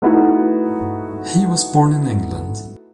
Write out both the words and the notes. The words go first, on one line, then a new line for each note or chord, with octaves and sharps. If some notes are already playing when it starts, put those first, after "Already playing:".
He was born in England.
A3 B3 D#4 E4 F#4